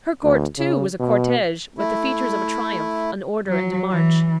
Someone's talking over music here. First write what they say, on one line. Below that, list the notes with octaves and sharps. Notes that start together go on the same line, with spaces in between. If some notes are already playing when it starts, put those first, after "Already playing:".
Her court, too, was a cortege, with the features of a triumph, an order and a march.
D2
C#3
B2
A3 E4
F#3
E3